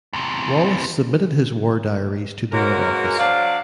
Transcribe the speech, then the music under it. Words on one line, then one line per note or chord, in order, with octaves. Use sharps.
Wallis submitted his war diaries to the War Office.
E2 C3
G#3 A#3 B3 C#4 F#4 A#4
F#3 D4 C5 D5 F5